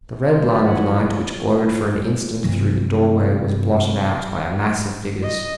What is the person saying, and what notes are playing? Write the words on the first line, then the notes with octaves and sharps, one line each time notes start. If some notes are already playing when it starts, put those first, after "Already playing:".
The red line of light which glowed for an instant through the doorway was blotted out by a mass of figures.
C5
D3 F#3 C#4 B4 D5
F3 G#3 E4 C#5 D#5 F#5
G2 C3 F3 F#3
D#5